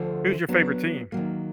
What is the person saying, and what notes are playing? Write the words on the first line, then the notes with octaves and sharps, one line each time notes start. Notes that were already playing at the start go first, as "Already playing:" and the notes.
Who's your favorite team?
Already playing: D2 D3 F3 A3
F#3 B3 D4
D#3 F#3 A#3